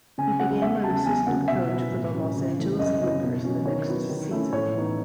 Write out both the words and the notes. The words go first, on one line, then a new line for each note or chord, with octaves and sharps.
He became an assistant coach for the Los Angeles Clippers the next season.
C#3 G#5
F#3 C#4 F#5
E2 E5
C#3 F#3 A5
E2 G#5
C#3 F#3 F#5
B2 E5
F#3 B3 E4
A2
F#3 C#4
C#3
E3 A3
F#2 D#5
C#3 F#3 C#4 E4
B2
F#3 C#4
D#3 C#5
F#3 B3 E4
D#3
A3 C#4 E4
A2 C#5
E3 B3 D#4